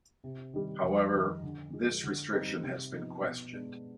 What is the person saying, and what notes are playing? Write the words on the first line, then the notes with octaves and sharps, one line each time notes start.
However, this restriction has been questioned.
C3
D#3 G3
F2
D#3 G3
D3
F3 G#3
D3
G3 C4 D#4
C3
F3 B3 D#4
B2
G#3 B3 D4